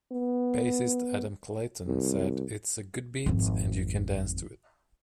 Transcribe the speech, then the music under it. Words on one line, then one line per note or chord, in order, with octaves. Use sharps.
Bassist Adam Clayton said It's a good beat and you can dance to it.
B3
C2
G#1 F2